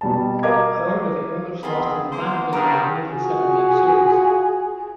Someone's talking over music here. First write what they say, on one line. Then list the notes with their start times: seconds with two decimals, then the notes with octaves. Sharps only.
However, the Oilers lost in the Final game of a gruelling seven-game series.
0.01 B2 G3 A5
0.43 A#4 D#5 F5 A#5 D6 G#6
1.63 B3 C4 F4 G#4 A#4 B5
2.11 A#3 B3 C5
2.53 G2 C#3 A#4 F5
3.10 F4 F#4 G#4